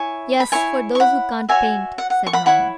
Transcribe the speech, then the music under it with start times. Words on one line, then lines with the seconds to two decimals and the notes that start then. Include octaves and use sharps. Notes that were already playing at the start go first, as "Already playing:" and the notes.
"Yes, for those who can't paint," said Naumann.
Already playing: E4 C#5 G#5 C#6
0.40 B5
0.52 E4 C#5 G#5 C#6
0.95 C#6
1.00 F#5 B5
1.49 F#4 C#5 E5 G#5
1.98 F#5
2.10 F#5
2.27 C#6
2.33 F#5 B5
2.46 E4 C#5 F#5 B5